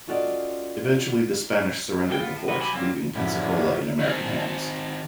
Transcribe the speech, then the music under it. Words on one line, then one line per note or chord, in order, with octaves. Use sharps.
Eventually the Spanish surrendered the fort, leaving Pensacola in American hands.
C#4 F4 F#4 A4 D5 D#5
B2 E3 G#3 F#4 G5
B3 F4
A2
C3 D#3 F3 F#3 F#4 B4
B1 F#4 G4 G#5 B5
F#3 G3 A#3 C4
F#2 A2 D3 F3 G3 A3 B3 E4
D#3 C4